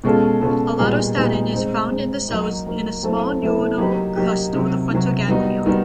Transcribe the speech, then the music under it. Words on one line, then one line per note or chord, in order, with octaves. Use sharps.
Allatostatin is found in the cells in a small neuronal cluster, the frontal ganglion.
B2 G#3 C#4 F4 A4
B2 G#3 C#4 F4 A4
A#2 G3 B3 D#4 G#4
A#2 G3 B3 D#4 G#4
G#3 C4 D#4
G#3 C4 D#4
F#3 A#3 D#4
F#3 A#3 D#4
F#3 A3 C4 E4 A4
F#3 A3 C4 E4 A4
F#3 A#3 D#4 G4
F#3 A#3 D#4 G4
C3 D#3 F#3
C3 D#3 F#3
D#3 G3 B3 D#4 F#4
D#3 G3 B3 D#4 F#4